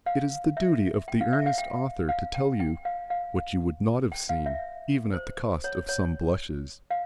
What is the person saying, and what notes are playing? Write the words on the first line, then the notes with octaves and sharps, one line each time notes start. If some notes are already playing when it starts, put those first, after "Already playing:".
It is the duty of the earnest author to tell you what you would not have seen--even at the cost of some blushes.
F5
E5
G5
F5
E5
F5
G5
F5
G5
G5
F5
F5
G5
F5
E5
C5
C#5
C#5
F5